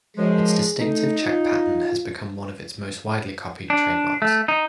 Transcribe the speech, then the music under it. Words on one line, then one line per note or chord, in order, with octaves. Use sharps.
Its distinctive check pattern has become one of its most widely copied trademarks.
F#2 F3 G#3 G#4
A3 D#4
F4
D4
A3
D#4